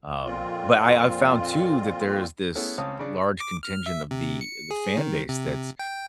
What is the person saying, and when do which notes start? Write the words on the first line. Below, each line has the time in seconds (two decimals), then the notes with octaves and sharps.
Um, but I I've found too that there's this large contingent of the the fan base that's
0.25 F2 A#2 C4 F4
2.55 A3 B3 C#4 E4 G#4
2.78 C#2 C4 C#4 F5 A5 D#6
2.99 C#3 D4
3.40 D6
3.63 F6
3.86 E5
4.11 C3
4.41 C#7
4.71 G#4
4.97 D#3
5.29 C3
5.79 G5